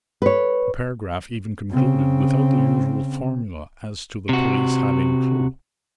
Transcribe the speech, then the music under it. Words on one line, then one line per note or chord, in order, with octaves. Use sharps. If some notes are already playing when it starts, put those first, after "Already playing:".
The paragraph even concluded without the usual formula as to the police having a clew.
B4 C#5
C#3 C4
C3 F#4